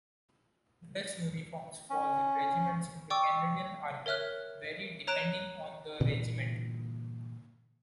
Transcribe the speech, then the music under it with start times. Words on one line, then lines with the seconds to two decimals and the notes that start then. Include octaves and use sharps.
Dress uniforms for regiments in the Canadian Army vary depending on the regiment.
1.90 C#4
3.10 D5 G5 C#6 D6 E6
4.06 A#4 C#5 E5 F6 F#6
5.07 C#5 A#5 F#6 D7 E7
6.00 G2 A#2 D3 E3